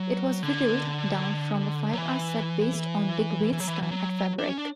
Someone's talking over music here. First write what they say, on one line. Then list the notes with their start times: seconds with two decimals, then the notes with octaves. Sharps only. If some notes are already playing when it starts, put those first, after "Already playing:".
It was whittled down from a five-hour set based on Digweed's time at Fabric.
Already playing: F#3
0.43 D3
1.93 F#3
1.98 E3
3.53 E3
3.60 F#3
3.68 E3
3.83 E3
3.91 F#3
4.39 D4
4.49 C#4
4.58 D4